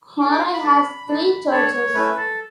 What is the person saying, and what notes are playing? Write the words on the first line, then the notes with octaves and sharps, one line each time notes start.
Gorai has three churches.
D4 A4 D6
D6
B5
D4 A4
D4 A4
D4 A4 C#5
C#5
A3 C#4 E4 B4
A4